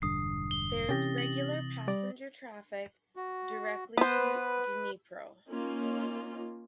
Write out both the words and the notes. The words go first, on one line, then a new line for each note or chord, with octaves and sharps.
There is regular passenger traffic directly to Dnipro.
E1 G2 D3 D#6 C7
G7
C3 E3 C#4 G4 A6 A#6
F#7
G3 D5
F#4
B3 B4 C5
A#3 C#4 D#4 F4